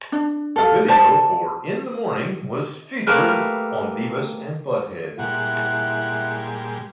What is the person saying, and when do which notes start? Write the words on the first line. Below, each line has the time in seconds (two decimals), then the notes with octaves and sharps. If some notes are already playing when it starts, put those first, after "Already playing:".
The video for "In the Morning" was featured on "Beavis and Butt-head".
0.12 D4
0.56 A4 F5
0.88 C5 D5 A5
3.07 G3 A3 A#3 A#4 B4
5.19 A#2 G3 G#3 E4 F#5